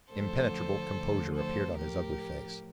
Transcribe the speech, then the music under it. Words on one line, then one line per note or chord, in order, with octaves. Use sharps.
Impenetrable composure appeared on his ugly face.
D2 D3 F3 A4 C5
D2 D3 F3
A4 C5
A2 F3 G4 A#4